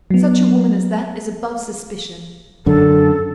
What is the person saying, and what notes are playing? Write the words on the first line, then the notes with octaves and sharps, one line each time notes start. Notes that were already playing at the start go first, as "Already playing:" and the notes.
Such a woman as that is above suspicion.
F#3 B3
F#2 D3 A4